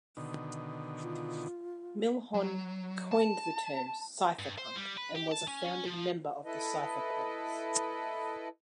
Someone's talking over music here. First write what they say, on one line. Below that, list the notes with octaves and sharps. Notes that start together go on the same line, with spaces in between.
Milhon coined the term cypherpunk and was a founding member of the cypherpunks.
B2 D3 D#3
F4
F#3
A5
G2
C5
G3
B4
G4
A5
C#4
C#4
F3
E4 A4 B4 D#5